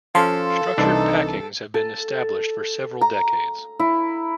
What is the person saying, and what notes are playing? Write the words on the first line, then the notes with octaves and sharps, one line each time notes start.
Structured packings have been established for several decades.
F3 C#4 A4 F5 A5 C6
C2 E3 D4 D#4
A4
A#5
E4